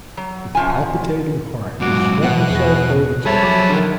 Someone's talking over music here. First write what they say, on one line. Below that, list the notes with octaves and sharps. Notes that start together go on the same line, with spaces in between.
With palpitating heart he swung himself over to it.
F#3
F#2 F3 G#5
G#2 F#3 F#4 D6
B2 B3 E4 F#5 F#6
E2 G#4 A#6
G3 G#4 A4 C5 C#5 E5 A5 B5
F#3 D6
D3 D#3